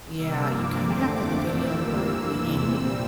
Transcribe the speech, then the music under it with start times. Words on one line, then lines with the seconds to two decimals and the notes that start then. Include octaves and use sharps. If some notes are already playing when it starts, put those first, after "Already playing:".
Yeah, you kinda have to look at him like the enemy,
0.16 C3 G3 A#3 E6
0.47 G2 F3 A#3 D6
0.77 E2 D3 A3 C4
1.08 F2 D3 A3 C4 D6
1.39 A#2 F3 A3 C4 E6
1.70 F2 E3 G3 A#3
2.00 G2 E3 A#3 E6
2.32 E2 C3 E3 E6
2.62 A#2 G3 C4